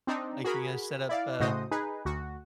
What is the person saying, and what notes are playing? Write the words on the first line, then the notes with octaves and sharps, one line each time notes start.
Like you're gonna set up, uh,
C4 D4 D#4
F#4 G#4 A#4 B5
E4 D5 F5
A2 C#3 F#4 C5 D#5 D#6
D#4 G#4 B4
D2 F#4